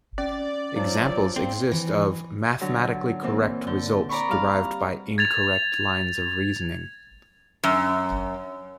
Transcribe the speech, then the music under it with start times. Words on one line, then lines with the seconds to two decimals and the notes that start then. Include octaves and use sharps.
Examples exist of "mathematically correct results derived by incorrect lines of reasoning".
0.18 C#4 D5
0.76 F3 F#3 D#4 E4
1.36 C4
1.72 E3
2.61 D3 F#3
3.23 A#2 E3 C4
3.67 D3 G6
4.09 D5 A#5 B5 C#6
4.29 G3 F5
5.18 G#6 A6 F7
7.64 F#2